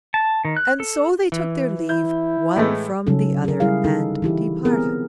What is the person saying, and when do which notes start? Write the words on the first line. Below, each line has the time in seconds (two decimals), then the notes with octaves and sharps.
And so they took their leave one from the other and departed.
0.14 A5
0.45 D#3
0.57 F#6
0.80 A4
1.32 E3
1.89 E4 G6
2.56 A2 E3 G#3 A3 A4
3.07 C#3 F#3 C#4 D#4 A4
3.44 G#4 A#4
3.60 G3 E4 G#4 F5
3.84 D3 D#4 A4
4.22 E3 E4 G4
4.65 B3 C4 G#4 A#4